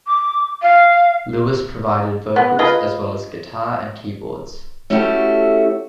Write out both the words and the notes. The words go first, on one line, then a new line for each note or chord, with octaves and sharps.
Lewis provided vocals as well as guitar and keyboards.
D6
F5
B3
F4 G#4 B4 D#5
A3 C#4 E4 F#4 G4 A4